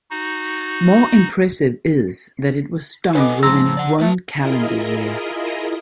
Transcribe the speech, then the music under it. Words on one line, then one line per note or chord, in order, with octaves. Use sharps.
More impressive is that it was done within one calendar year.
D#4 F#4
A4 B4 D#5 F#5 G#5 D6
F3 G#3 D#4 A#5 C6 E6 A#6
A2
D5 F#5
A3 B4 E5 A5
E4 F4 G#4 A#4 D#5